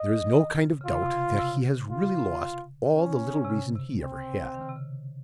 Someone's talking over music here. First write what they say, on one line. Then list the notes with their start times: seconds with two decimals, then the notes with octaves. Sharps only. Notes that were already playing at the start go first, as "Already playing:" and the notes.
There is no kind of doubt that he has really lost all the little reason he ever had.
Already playing: D#5
0.33 D#3
0.59 C#3
0.81 C#3
0.86 C3 F4
1.02 C3
1.12 C#3
1.39 C3
1.47 C#3
1.56 C3
1.91 F4
2.96 C#4
3.45 C3
3.50 C#3
3.75 C3
4.01 C4
4.54 D#3
4.61 C#3
4.69 C3
4.76 C#3